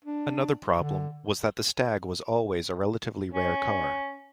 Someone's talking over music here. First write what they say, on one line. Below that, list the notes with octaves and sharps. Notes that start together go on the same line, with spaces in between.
Another problem was that the Stag was always a relatively rare car.
D4
D3
C#4